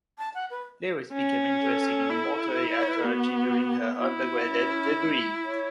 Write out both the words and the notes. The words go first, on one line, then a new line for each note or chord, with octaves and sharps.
Lewis became interested in mortuary archaeology during her undergraduate degree.
A5
F#5
B4
C#4
A4
E4
C#5
B4
A4
B3 F#4
E4 F#4
F#4
C#4
C#5